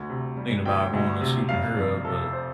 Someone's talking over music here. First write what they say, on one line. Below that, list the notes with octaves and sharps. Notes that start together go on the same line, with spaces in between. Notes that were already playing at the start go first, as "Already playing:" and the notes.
thinking about going and scooping her up, but,
Already playing: D2
C3
G3
D2 G5
D2
C3
F1 F5
F2 D5
C3 A4
C5